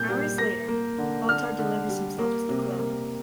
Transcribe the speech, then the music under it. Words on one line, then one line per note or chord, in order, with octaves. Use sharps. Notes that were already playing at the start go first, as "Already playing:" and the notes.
Hours later, Baltar delivers himself to the Colonials.
Already playing: A#2 A#3 G6
G3
A#3 A#6
A#3
D3
D3 F6
D3
G3
A#3
C3
A#3